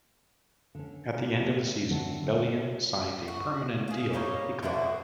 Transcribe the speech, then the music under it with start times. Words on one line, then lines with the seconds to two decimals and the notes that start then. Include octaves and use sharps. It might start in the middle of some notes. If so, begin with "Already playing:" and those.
At the end of the season, Bellion signed a permanent deal with the club.
0.75 D3 C#4
1.42 A3
1.91 D3 F#3 C4 D4 E4 F#5
3.28 F#4
3.88 G#4 F5
4.13 G3 A#3 D#4 C#5
4.63 D3 F3 E4 F#4